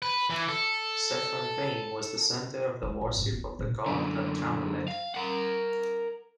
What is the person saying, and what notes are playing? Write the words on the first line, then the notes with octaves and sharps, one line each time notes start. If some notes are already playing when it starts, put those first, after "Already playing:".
Sepharvaim was the center of the worship of the god Adramelech.
B4
E3
A4
G#3
A1
A2 D#4
B3
B3
B1 A#2
F#2 D3
F5
A#4 F#5